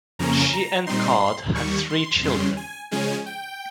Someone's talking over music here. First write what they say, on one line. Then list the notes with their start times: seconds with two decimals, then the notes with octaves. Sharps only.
She and Card had three children.
0.19 F2 C#3 F3 A#3 C#4 A#5
0.53 A#5
0.87 A#2 G3 C4 D#4 C6
1.55 D#2 D#3 G3 C#6
1.90 C6
2.23 F2 C#3 G3 C#4 C6
2.57 G#5
2.91 C#3 F3 G#3 C#4 G#5
3.26 G5